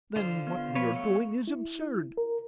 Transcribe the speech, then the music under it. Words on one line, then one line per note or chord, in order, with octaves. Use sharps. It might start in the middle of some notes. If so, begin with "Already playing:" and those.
"Then what we are doing is absurd!"
D3 F4 C5
B3 F5
F3 B4 C#5
F#3 A3 C#5
E4
A#4